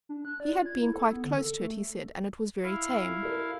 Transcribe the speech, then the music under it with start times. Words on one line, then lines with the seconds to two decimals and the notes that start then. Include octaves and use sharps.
He had been quite close to it, he said, and it was very tame.
0.09 D4
0.25 F#6
0.40 D5
0.53 F4
0.66 G#6
0.82 E4
0.94 A4
1.13 B3
1.25 D3
1.37 A4
1.62 A3
2.63 E4 F5
3.23 A4 A#4